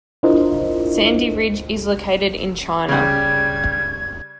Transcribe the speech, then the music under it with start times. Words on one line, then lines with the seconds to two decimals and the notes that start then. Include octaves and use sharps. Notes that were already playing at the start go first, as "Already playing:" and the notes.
Sandy Ridge is located in China.
0.23 D4 E4 F4 A#4 C5 D#5
2.88 C#3 G3 G#6